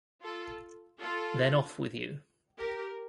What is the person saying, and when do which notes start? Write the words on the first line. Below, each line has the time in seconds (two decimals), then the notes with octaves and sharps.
Then off with you.
0.22 F4 A4
1.01 F4 A4
2.57 G4 A#4